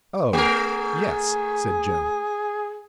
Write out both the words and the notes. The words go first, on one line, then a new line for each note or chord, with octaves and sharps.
"Oh, yes," said Joe.
A3 G#4 A#4